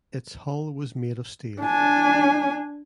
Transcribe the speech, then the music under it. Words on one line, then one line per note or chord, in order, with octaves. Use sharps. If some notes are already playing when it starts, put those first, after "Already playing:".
Its hull was made of steel.
D4 G#5